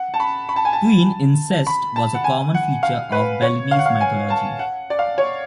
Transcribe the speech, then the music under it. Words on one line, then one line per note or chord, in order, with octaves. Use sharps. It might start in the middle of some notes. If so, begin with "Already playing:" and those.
Twin incest was a common feature of Balinese mythology.
Already playing: F#5
A5
B5
B5
A5
G#5
A5
B5
A5
F#5
G#5
F#5
F5
B4
C#5
F5
F#5
F5
G#5
A5
F#5
D5
F5
C#5